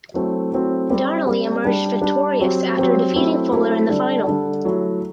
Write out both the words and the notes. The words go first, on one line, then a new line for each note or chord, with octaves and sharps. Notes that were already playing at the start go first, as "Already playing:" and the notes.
Donnelly emerged victorious after defeating Fuller in the final.
F#3 A3 C4 E4
F#3 A3 C4 E4
G3 C4 G4
G3 C4 G4
G3 D4 G4
G3 D4 G4
F#3 C4 G4
F#3 C4 G4
F#3 A3 C4 E4
F#3 A3 C4 E4
D3 G3 D4 A4
D3 G3 D4 A4
F#3 A3 E4